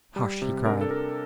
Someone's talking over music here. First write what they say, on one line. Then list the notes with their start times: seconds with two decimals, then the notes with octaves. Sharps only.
"Hush!" he cried.
0.16 G3
0.42 C3
0.65 D4 A#4
0.81 A4
0.91 D4 A#4